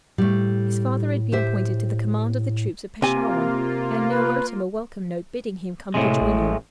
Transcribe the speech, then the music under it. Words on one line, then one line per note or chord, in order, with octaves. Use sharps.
His father had been appointed to the command of the troops at Peshawar, and now wrote him a welcome note bidding him come to join him.
A2 G3 A3
G4 C5 E5
C3 A#3 F4 G#5
B4
A2 C3 G#3
A1